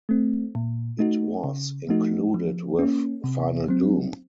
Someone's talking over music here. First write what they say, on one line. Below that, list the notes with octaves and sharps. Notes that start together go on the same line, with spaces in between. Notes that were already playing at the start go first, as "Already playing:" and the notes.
It was included with "Final Doom".
A3 C4
A#2
A3 D#4 F#4
C#3
F3 A3 D#4 F#4
F3
A#3 C#4
C3
F#3 C4